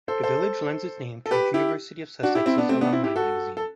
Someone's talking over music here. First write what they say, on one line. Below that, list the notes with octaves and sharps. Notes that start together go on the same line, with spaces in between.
The village lends its name to the University of Sussex's alumni magazine.
A4 C5
A4 C5
A4
G4 B4
E4 G4
D4 F#4
E4 G4
C4 E4
B3 D4
A3 C4
B3 D4
C4 E4
E4 G4
F#4 A4
A4